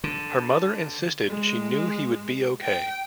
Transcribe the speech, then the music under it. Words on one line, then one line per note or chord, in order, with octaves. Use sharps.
Her mother insisted she knew he would be okay.
D3
G#3
G5